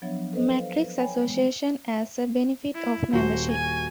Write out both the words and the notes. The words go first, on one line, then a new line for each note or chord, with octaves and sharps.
Metric Association as a benefit of membership.
F3 F#3 B3 D4 C#5 E5
A4 B4 C5 D#5
F5
B4
C#5 G5 G#5 B5
E3 G#3 B3
E4
D#1 F#4 C5
G#5